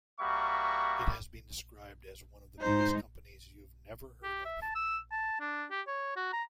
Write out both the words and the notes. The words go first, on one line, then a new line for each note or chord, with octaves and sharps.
It has been described as one of the biggest companies you've never heard of.
G3 A#3 F#4 E5 C#6
G#2 D#4 C5
G4
E5
A5
E6
A5
D4
G4
C#5
F#4
A#5